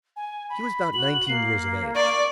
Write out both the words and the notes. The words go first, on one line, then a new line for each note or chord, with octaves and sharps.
He was about nineteen years of age.
G#5
B5
F#4 F#7
A#3 C7
D5 C#6